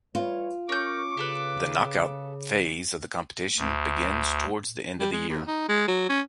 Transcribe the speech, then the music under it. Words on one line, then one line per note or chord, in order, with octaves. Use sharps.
The knockout phase of the competition begins towards the end of the year.
E3 G3 F4 C#5
C#4 A#4 C#6 D6 G6
C#3 G4 A4 B4
D2
G3
G#3
D#2
D#4
G#3
F#3
C#4